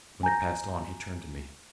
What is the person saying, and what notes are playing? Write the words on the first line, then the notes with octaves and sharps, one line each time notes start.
When it passed on, he turned to me.
G#5 A#5 G6 A#6